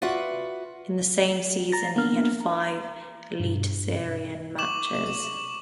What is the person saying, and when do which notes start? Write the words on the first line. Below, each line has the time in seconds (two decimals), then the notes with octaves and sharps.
In the same season he had five Eliteserien matches.
0.02 F4 F#4 B4 D5 E5 F#5
1.72 A#5 A6 A#6
1.96 A#3 B3 D4 A#4 F6
2.40 A#5
3.40 G2 B2
4.58 C#6 D6 E7 F#7